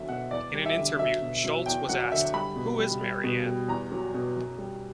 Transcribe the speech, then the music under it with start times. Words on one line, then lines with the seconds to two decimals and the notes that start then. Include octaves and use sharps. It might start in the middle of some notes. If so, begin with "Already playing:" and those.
In an interview Scholz was asked, Who is Marianne?
Already playing: E2 D3 F#3 E5
0.09 B2 F#5
0.31 E2 D5
0.53 G3
0.66 E5
0.77 D3
0.99 F#3 E5
1.22 B2
1.44 F#3
1.66 E2 G5
1.89 F#3 F#5
2.12 D3 E5
2.34 G3 B5
2.56 B2
2.79 G3
3.01 G3
3.24 B2
3.46 G3
3.68 E2 A#5
3.92 F#3
4.14 B2
4.36 F#2
4.58 G3